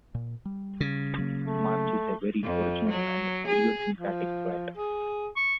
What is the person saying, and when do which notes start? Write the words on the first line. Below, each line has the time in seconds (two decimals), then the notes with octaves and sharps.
March is a very original and idiosyncratic poet.
0.15 A#2
0.45 G3
0.81 C#3
1.18 F#3 A#3
1.48 A3
2.43 F2
2.89 F#3
3.47 G#4
3.99 F3
4.77 G#4
5.37 C#6